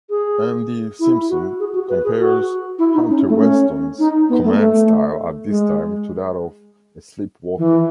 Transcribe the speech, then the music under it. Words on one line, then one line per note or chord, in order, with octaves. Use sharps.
Andy Simpson compares Hunter-Weston's command style at this time to that of "a sleepwalker".
G#4
E4
F#4
G#4
F#4
B4
G#4
F#4
E4
D#4
C#4
A3
C#4
D#4
B3
A3
A3
G#3
E3